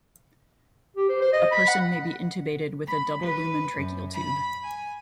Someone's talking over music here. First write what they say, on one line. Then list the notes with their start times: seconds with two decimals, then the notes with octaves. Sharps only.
A person may be intubated with a double lumen tracheal tube.
0.97 G4
1.09 C5
1.21 C5
1.33 D#5
1.52 B5
1.67 F#5
2.87 B5
3.22 B4
3.77 F#2
4.13 B5
4.63 G#5